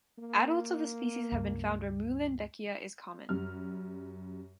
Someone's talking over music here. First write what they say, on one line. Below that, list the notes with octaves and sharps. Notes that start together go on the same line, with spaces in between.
Adults of the species have been found where "Muehlenbeckia" is common.
A#3
C#2 G2
F#2 G3 F6